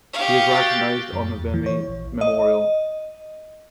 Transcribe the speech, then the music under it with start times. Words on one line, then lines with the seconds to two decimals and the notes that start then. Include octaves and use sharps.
He is recognized on the Vimy Memorial.
0.13 G4 F5 C#6 D#6
0.51 F#4 G5 A6
1.12 F#2
1.37 E2
1.54 E3
1.66 C#5
1.88 A#1
2.21 D#5